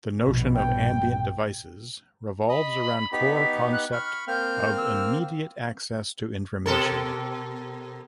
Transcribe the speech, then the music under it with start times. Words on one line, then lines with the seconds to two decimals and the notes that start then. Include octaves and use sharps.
The notion of ambient devices revolves around core concept of immediate access to information.
0.23 A#1 G2 B2
0.55 G5
2.49 D#5 B5
3.12 B3 D#4 G4 B6
3.73 F#6
3.92 B5 C#6 F6
4.28 A#3 C4 F6 G6
4.77 E6
6.66 B2 A4 A#4